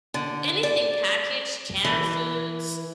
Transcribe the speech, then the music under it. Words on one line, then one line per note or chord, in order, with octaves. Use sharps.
anything packaged canned foods,
D3
D5
E3